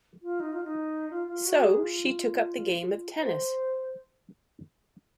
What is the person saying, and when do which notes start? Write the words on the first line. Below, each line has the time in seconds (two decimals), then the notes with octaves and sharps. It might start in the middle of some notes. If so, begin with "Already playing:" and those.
So, she took up the game of tennis.
0.22 F4
0.40 D#4
0.52 F4
0.64 D#4
1.10 F4
1.27 F4
1.45 F#4
1.62 G#4
1.81 F4
3.21 C5